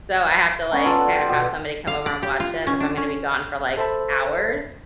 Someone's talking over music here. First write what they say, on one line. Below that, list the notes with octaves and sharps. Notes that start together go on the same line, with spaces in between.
so I have to, like, kind of, have somebody come over and watch him if I'm gonna be gone for, like, hours,
B3 C#4 A#5
F4 A4 D5
F4 F#5
G4 G5
B2
F5
D5
G4
F4
C#4
D4
C#4
A4 C5 E5 A5 B5